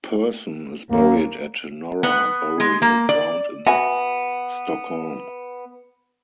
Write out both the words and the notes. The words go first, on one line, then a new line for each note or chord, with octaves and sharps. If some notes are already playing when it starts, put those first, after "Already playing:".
Persson is buried at Norra burial ground in Stockholm.
D#2 A#3
B3
G#3
A#3
D5
B3 F#4 E5 G#5